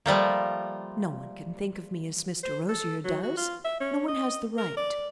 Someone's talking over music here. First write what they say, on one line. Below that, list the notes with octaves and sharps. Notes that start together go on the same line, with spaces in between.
"No one can think of me as Mr. Rosier does; no one has the right."
F3 G3 A3 A#3
C5
A4
F#3
F#4
F4
E5
C#4
D#5
A#4
D5